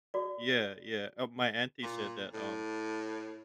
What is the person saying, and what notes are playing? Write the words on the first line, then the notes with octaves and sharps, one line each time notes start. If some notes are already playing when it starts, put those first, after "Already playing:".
Yeah, yeah, uh, my auntie said that, um
F#4 D5
A#2
A2